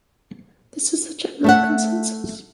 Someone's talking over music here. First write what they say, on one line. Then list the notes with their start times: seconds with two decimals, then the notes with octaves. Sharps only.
This is the general consensus.
1.44 A3 E5 F#5